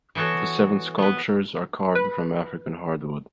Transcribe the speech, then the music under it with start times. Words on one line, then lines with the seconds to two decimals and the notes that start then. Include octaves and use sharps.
The seven sculptures are carved from African hardwood.
0.15 E3 B3 F#4 A4 C#5
0.98 B3 B4
1.95 B4